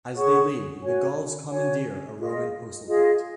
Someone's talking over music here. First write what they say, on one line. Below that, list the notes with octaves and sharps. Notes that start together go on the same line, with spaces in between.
As they leave, the Gauls commandeer a Roman postal cart.
G#4 C#5 F#5 C#6
F#4 C#5 G#5
F#4 C#5 G#5
F4 G#4 D#5
F4 G#4 D#5